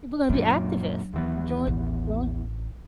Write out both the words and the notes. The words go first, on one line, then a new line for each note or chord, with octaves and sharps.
we're gonna be activists, join join
F#2 A#2 F#3 D4
D#2 E3 B3
A1